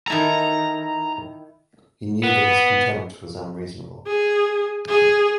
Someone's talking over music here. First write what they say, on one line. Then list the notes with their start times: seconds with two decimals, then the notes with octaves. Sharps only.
He knew that his contempt was unreasonable.
0.08 D#3 E4 A4 A#5
2.23 B3
4.07 G#4
4.89 G#4